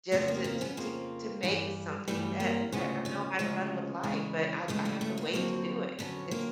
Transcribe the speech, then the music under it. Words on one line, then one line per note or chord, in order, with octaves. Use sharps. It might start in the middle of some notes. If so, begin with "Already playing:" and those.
just to to to to make something that that I know my son would like, but I I have to wait to do it. It it's
F2 C#3 F3 A3 B3
A#3 C4
A#3 C4
B3 C#4
F2 C#3 F3 A#3 C4
G2 E3 G3
G2 E3 G3 A3 B3
A#3 C4
D2 C#3 F3 G#3 B3 C#4
B3 C#4
D2 C#3 F3 G#3
E2 C#3 E3 G#3
E2 C#3 E3 G#3 A3 B3
A3 B3
A3
A#3
F2 D3 F#3 A#3 C4
F2 D3 F#3 B3 C#4
A#3 C4